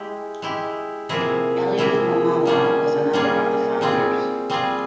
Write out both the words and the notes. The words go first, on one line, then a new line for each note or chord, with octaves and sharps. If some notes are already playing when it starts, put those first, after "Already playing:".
Elly Wamala was another of the founders.
Already playing: G#3 E4 G4
G#3 E4 G4
C3 F3 A#3 E4 G#4
C3 F3 A#3 E4 G#4
G3 A#3 C#4 F4 G#4
G3 A#3 C#4 F4 G#4
G3 C4 F4 G#4
G3 C4 F4 G#4